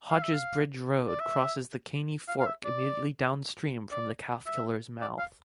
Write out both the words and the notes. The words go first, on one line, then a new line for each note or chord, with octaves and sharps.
Hodges Bridge Road crosses the Caney Fork immediately downstream from the Calfkiller's mouth.
F5
E5
F5
D5
E5
F5
F5
E5
D5
D5
E5
D5
F5